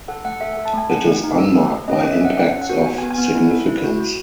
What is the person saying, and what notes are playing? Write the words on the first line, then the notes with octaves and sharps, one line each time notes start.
It is unmarked by impacts of significance.
A4 F#5
A3 F#5
A4 E5
A4 G#5
A5
A3 G#5
D#4 F#5
A3
D#4
A4
A3
A3
C#4 D#5
C#4 D#5
E5
C#4 F#5
C#4 F#5
A4
F#5
F#4
B3 G#5
G#5
B3
G#5
B3
E4
A4
E4
F#4
F#4